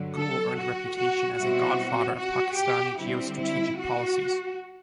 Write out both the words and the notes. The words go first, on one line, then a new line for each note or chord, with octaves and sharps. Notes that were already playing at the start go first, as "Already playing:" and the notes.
Gul earned a reputation as a "Godfather" of Pakistani geostrategic policies.
Already playing: G2 D3 F#3
A4
F#4
F#4
B2 G3 C4 E4 F#4
F#4
G4
D3 G3 C4 E4
E4
F#4